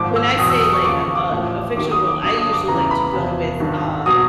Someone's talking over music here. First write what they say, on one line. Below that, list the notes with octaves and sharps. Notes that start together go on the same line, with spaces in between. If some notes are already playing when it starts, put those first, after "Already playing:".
when I say like a a a fictional world, I usually like to go with, um,
Already playing: G#1 G#2 F3 D6
E6
E2 B2 F#3 D#6
E6
D#6
C#6
D#2 C#3 F3 D6
C#6
D6
A1 A2 F3
D#2 D#3 F#3 D6
D#6
D6
G1 G2 D3 F#3 D#6
D#6
D6
E2 C#3 E3 A#5
B5
E2 C3 F3
G#1 G2 D#3
B2 F#3 D#6